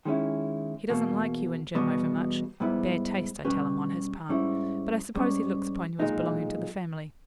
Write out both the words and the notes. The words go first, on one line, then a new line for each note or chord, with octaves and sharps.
He doesn't like you and Jim over much--bad taste, I tell him, on his part--but I suppose he looks upon you as belonging to the family.
D#3 G#3 C#4 E4
E2 B2 A#3
E2 B2 G3 B3
G#2 G3 B3 E4
B2 G3 C#4 G4 B4
G#2 G3 C#4 E4
G#2 G3 C#4
B1 A#2 G#3 D#4